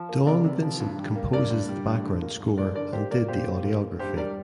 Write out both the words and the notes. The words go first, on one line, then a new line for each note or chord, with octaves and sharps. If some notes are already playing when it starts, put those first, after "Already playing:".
Dawn Vincent composes the background score and did the audiography.
Already playing: F3
A#3
C3 A#4 D5
C3
F3
G2
G3
A#3
G2 A#4 D5
G2
G3
G2
D3
A#3
G2
G2 A#4 D5
D3 A#4 D5
A#3 G4 C5
A#3 A#4 D5
A#2 G4 C5
A#2
A#3
A#3
G2 G4 C5
G3 A#4 D5